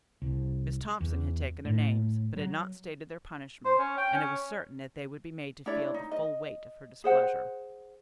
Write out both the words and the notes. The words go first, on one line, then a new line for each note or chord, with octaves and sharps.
Miss Thompson had taken their names, but had not stated their punishment and it was certain that they would be made to feel the full weight of her displeasure.
C2
E2
A2
F#3
C5
C#4
G5
C#4
D4 E4 C#5 D5
D#4
D#5
G#4 C5 F#5